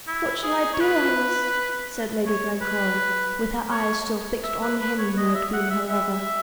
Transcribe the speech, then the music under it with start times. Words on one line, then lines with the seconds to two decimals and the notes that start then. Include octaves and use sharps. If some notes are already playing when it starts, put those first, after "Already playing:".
"What shall I do, Alice?" said Lady Glencora, with her eyes still fixed on him who had been her lover.
0.07 E4
0.43 G#4
0.74 C#5
0.80 B4
2.26 C#5
2.61 B4
3.71 C#5
4.44 E5
4.62 B4
4.80 B4
4.98 C#5
5.17 D#5
5.34 E5
5.53 F#5
5.70 E5
5.90 E5